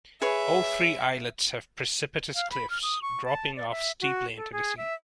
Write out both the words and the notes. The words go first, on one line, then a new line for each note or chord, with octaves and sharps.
All three islets have precipitous cliffs, dropping off steeply into the sea.
G#4 B4 C#5 E5
F5
B5
F6
D#6
C#6
A5
D5
E5
F#4
A4
G#4
E5